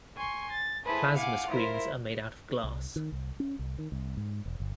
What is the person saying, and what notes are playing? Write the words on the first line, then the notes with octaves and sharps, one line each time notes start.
Plasma screens are made out of glass.
G#5 C6 C#6
A6
E4 G#4 A4 B4 C5
F5 F#5 G#5 D6
E4 F4 A#4 C5 E5
C2
D#3
C2
C#4
C2
D#3
C2
G#2
E1
G1